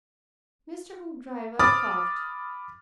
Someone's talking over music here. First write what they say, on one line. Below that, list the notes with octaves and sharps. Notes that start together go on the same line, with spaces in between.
Mr. Hoopdriver coughed.
B5 D6 D#6 F6 A6